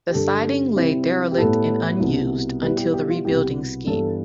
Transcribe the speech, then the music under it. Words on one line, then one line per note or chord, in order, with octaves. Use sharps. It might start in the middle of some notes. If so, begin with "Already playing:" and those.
The siding lay derelict and unused until the rebuilding scheme.
G4
G2 D3 G3 D4 A4
C3 G3 C4 E4
G4
A2 G3 B3 E4 A4
C2 B2 B3 E4
B2 G3 B3 E4 B4
G4
G4
F4
C2 B2 B3 E4 G4
G2 E3 B3 A4